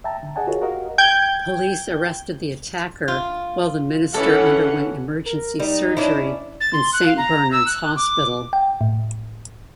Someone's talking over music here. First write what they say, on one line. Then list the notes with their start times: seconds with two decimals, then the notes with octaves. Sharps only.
Police arrested the attacker while the Minister underwent emergency surgery in Saint Bernard's Hospital.
0.04 E5 G5 A5 A#5
0.23 D3
0.36 G#4 D5 D#5 F#5 G#5 A5
0.47 F4 F#4 G#4 A#4 C#5
0.62 F#4 G4 A#4 D#5 F5
0.98 G5 G6 G#6
3.08 F4
4.14 E3 C#4 A4 F#5
5.26 A#4
5.59 G3 D#4
5.97 C#4 D4 E4
6.61 A6
6.73 C6
6.93 F#6
7.06 F5
7.18 A#5
7.52 E6
7.66 F#6
7.96 D6
8.53 G5
8.81 A2